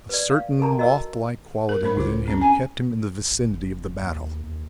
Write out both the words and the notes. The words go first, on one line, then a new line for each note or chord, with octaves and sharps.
A certain mothlike quality within him kept him in the vicinity of the battle.
B4 D5
F5
A4 A#4 A5 A#5
F#4 D#5 A#5 E6
A#4
A2 A#4 C5 B5
C#2 E4 F4 C5
C4 C#4 G#4
C#4 G#5
G1
F#1
D#2
D#2